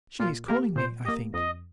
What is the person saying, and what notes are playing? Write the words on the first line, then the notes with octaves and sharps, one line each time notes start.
"She is calling me, I think."
A#2 F4
A#3 G4 A#4
A#2 C5
A#3 G4 D#5
F2 D#5